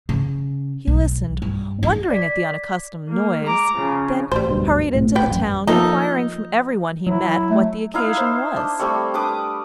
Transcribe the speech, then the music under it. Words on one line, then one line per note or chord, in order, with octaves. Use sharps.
He listened, wondering at the unaccustomed noise, then hurried into the town, inquiring from every one he met what the occasion was.
C#3
B1
G2
D#4
D5 B6
A#3
G#3 A#5 D6
C#3 F3
A1 G3 C5
D1 G2 B2
B1 A2 C3
B4 G5
A1 F#2
F3 A#3 D#4 A4
F#3 E4
A3
D#4 E4 F5
C5
D4
G3 A3 C4 C#6
D4 B4 D6 D#6